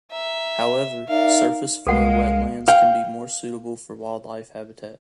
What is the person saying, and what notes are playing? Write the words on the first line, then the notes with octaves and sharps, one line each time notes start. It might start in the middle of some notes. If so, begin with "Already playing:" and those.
However, surface flow wetlands can be more suitable for wildlife habitat.
E5 A#5
D#4 A#4 D5 E5 F5
C2 G#3 A4 A#4 F5 F#5 C7
F5 G5